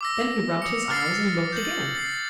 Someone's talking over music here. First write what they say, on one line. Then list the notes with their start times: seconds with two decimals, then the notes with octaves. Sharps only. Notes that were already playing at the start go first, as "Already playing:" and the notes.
Then he rubbed his eyes and looked again.
0.01 D6 E6 A#6
0.62 D#6 C#7
0.90 F6 A6 C7
1.52 G6 A6 F#7
1.95 A6 C7